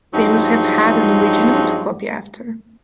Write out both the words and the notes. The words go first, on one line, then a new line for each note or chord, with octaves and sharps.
They must have had an original to copy after.
G2 F3 F#3 G#3 D#4